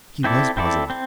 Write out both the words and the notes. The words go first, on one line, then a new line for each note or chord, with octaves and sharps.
He was puzzled.
C4 E4 A4 D5
C4 E4 A4 D5
C4